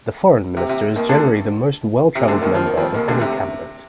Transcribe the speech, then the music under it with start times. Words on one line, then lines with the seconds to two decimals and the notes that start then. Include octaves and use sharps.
The foreign minister is generally the most well-traveled member of any cabinet.
0.57 C3
0.69 C3
0.96 D#2 D#3
1.09 D2 D3
2.15 C3
2.28 D2 D3
2.41 D#2 D#3
2.54 F3
2.66 D#3
2.77 F2 F3
2.94 D#2 D#3
3.08 D2 D3
3.21 C3